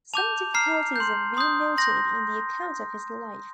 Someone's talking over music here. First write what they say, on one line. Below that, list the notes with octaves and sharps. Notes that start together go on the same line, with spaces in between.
Some difficulties have been noted in the account of his life.
A5 D6 G6 F7
A#5 F6 C7
C6 G6
C6 D#6 G6
C6 G6 A#6